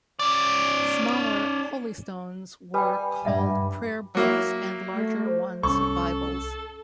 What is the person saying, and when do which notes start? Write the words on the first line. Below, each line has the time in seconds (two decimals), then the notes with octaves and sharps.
Smaller holystones were called "prayer books" and larger ones "Bibles".
0.19 C#4 D5
2.74 G3 B4 G5 G#5
3.25 G2 D5 E5 F#5
4.15 F#3 A#3 E4
4.94 A3
5.26 C5
5.63 C2 C#4 A4 C#6